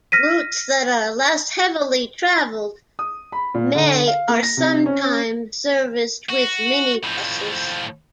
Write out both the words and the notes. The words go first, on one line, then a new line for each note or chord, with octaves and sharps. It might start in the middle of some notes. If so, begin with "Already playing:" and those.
Routes that are less heavily traveled may are sometimes serviced with minibuses.
F6 A#6 B6 D#7
D#6
B5
A#2
D3
F5
A#3
A#6
C3
C#4
F#4
A2 F3